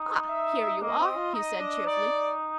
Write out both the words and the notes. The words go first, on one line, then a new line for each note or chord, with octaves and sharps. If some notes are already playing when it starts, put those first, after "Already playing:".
"Ah, here you are," he said cheerfully.
Already playing: D#4
E5
A#3 D#5
C4
F4
D#4 D#5
D4
D#4 D5